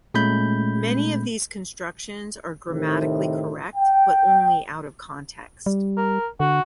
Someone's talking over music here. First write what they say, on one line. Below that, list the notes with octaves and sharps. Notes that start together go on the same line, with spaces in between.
Many of these constructions are grammatically correct but only out of context.
A#2 G#3 A3 C#4 B5 G6
A2 C3 D#3
G5
G3
A#4
D3 F#4